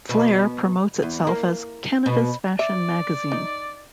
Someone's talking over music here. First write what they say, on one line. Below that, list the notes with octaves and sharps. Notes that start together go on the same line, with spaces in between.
"Flare" promotes itself as "Canada's Fashion magazine".
B2
E2
A#3
B2
D5 E5
D#4